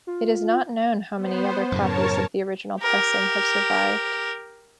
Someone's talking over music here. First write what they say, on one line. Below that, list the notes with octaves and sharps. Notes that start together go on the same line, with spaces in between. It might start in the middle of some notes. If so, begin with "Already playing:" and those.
It is not known how many other copies of the original pressing have survived.
F4
B3 C5
F#2 A2 C#3 A#4 C#5 A5
G4 A#4